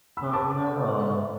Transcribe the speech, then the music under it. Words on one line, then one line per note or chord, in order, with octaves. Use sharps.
Oh, no.
F#5 B5 E6
B4 A5 D6
F#5
A4
D5
B4
E5